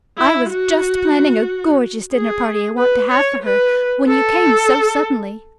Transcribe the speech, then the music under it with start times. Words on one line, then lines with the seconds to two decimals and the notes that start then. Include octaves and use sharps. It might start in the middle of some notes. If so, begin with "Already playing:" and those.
I was just planning a gorgeous dinner-party I want to have for her when you came so suddenly.
0.18 E4
0.51 F#4
2.14 G#4
2.78 B4
3.10 C#5
3.43 B4
4.08 A4